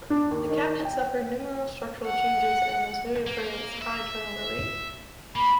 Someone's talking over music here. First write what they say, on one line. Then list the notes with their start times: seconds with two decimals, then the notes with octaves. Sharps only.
The cabinet suffered numerous structural changes and was noted for its high turnover rate.
0.10 D4
0.31 D#2
0.49 D#3
0.85 G5
2.06 F#5
3.27 A#3
3.82 E5
5.36 A#3 B5